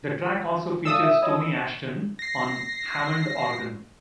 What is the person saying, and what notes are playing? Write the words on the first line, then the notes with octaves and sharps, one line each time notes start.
The track also features Tony Ashton on Hammond organ.
A4 D5 F5 D#6 E6
E5
C#5 D#5 B5
A#6 C7